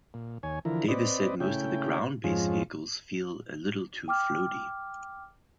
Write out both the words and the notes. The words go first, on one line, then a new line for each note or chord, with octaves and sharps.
Davis said most of the ground-based vehicles feel a little too floaty.
A#2
D#2 C#5 G#5
D3 E3 F3 E4 A#4
C4 B4 D5 D#5
C#3 A3 C#4 E4 G5
F2 G#2 F3 G#3 C#4 F4
G5 D6 F6